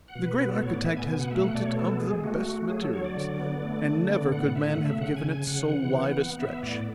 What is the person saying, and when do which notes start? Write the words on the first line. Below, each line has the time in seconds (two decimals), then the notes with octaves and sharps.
The great Architect has built it of the best materials; and never could man have given it so wide a stretch.
0.08 F#5
0.15 B2
0.24 B4
0.38 B3 B4
0.50 A4
0.62 A2 C#5
0.73 D5
0.85 B3 E5
0.97 G#5
1.08 B2 G#5
1.20 F#5
1.31 A3 E5
1.43 F#5
1.55 B2 D5
1.65 C#5
1.77 B3 A4
2.00 G#3 G#4
2.24 A3 F#4
2.46 A3
2.70 F#3 G#4
2.81 A4
2.93 F#3 C#5
3.04 D5
3.16 D3
3.39 B3
3.62 A3
3.85 D3
4.08 B3 D5
4.32 A2 F#5
4.55 D3 E5
4.70 F#5
4.78 A3
4.85 E5
5.01 C#3 F#5
5.17 G#5
5.24 C#3
5.32 G#5
5.47 C#3 F#5
5.71 E3
5.94 B3
6.17 B3
6.40 B3 E5
6.63 A2 D5